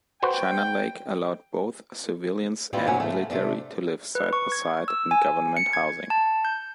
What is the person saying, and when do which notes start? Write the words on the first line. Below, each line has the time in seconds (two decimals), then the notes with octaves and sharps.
China Lake allowed both civilians and military to live side-by-side in government housing.
0.22 F#4 B4 C5 G5
2.73 G3 C#4 E4 F4 B4
2.87 G2 C3 F#3 A#3 C#4 G#5
3.00 G#2 C#3 A3
3.30 C3 A3 D4
4.15 B4
4.33 C#6
4.52 G#6
4.88 E6
5.11 G#5
5.57 C#7
5.73 G#6
6.10 A5
6.45 G6